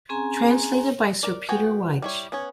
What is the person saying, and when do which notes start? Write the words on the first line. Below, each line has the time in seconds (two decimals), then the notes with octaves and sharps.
Translated by Sir Peter Wyche.
0.09 C4 C#4 G#4 G#5 A#5 C6
1.23 A#4 D5
1.49 B3 F4 F#4 G5 G#5
2.02 G3 E4 C#5
2.32 B3 C#4 C#5